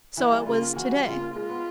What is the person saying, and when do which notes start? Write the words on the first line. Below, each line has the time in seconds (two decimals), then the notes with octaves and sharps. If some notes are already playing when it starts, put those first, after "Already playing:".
So it was to-day.
0.17 E3 E4
0.32 G3
0.46 C#3 F4
0.62 A#3
0.76 E3 F#4
0.91 G3
1.06 C#3 F4
1.20 A#3
1.36 G#3 F4
1.50 B3